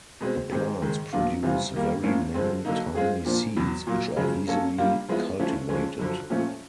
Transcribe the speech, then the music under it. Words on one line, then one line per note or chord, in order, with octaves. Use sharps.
The plants produce very many tiny seeds which are easily cultivated.
B2 G#3 C4
D#3 G#3 C4 D#4 G4
G#2 D#3 G#3
A#2 F#3 B3 D4 F4
C3 E3 G3 C4 F4
D#3 G3 A#3
A2 F3 A#3 C#4 F4
D3 F3 G#3 C4
D3 F#3 A#3 D#4
G#3 C4 F4 G#4
A#2 F3 A#3 D4
E2 B2 F#3
A#2 F#3 A#3
F#2 C#3 F3 G#3
F#3 A#3 C#4 F4 A4
G3 A#3 D4 F4
F3 G#3 B3 E4
D3 F3 A3 C#4 E4
D3 F3 G#3 C#4
F#2 D3 F3
A#2 F3 A3 C#4